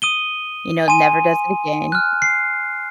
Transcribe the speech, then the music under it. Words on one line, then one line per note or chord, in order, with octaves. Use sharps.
you know, never does it again.
D#6 D#7 G7
G#5 C6 D#7
F6 F#6
C7